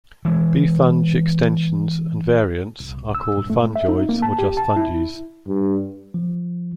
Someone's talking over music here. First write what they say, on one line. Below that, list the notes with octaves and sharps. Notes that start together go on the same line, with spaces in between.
Befunge-extensions and variants are called "Fungeoids" or just "Funges".
E3 G#3
C2
E6
G2
A3
E5
D#4
A#3
A5
G4
A5
E4
G2
F3